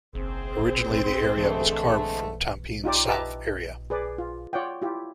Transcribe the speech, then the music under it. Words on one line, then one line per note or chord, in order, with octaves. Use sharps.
Originally the area was carved from Tampines South area.
F#1 C4 G#4 C5
D3 E3 G#3 A3
D#4 F4 G4 D5
G4 B4 D#5 E5 A5 A#5
G#4 B4 D5
F4
F4 C#5 D5 F#5 G5
E4 F4 G4